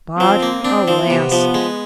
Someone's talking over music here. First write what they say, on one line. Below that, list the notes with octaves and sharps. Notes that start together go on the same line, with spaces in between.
But alas!
F3 C4
A#3
C4 D4
F3
C3 B3
F3
G#3